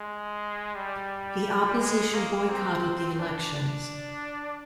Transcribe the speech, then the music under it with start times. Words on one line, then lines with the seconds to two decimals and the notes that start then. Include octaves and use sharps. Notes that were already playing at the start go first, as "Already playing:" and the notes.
The opposition boycotted the elections.
Already playing: G#3
0.75 G3
1.80 G#3
2.14 A#3
2.49 C4
3.19 D4
3.54 D4